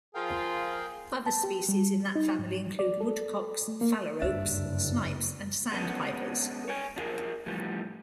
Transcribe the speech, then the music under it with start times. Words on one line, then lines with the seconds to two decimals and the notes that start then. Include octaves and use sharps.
Other species in that family include woodcocks, phalaropes, snipes, and sandpipers.
0.15 F3 F4 G#4 A#4 F5 G5
1.26 A5
1.43 G4
1.69 G3
2.16 D#4
2.39 G#2
2.79 D5
3.01 A4
3.68 A3
3.81 A#3
4.22 F#1 D2 G2 D4 E5
5.72 G#3 B3 C#4 D4
6.68 C#5 G5 G#5
6.96 D4 F4 G#4 A#4
7.46 A2 E3 F3 G3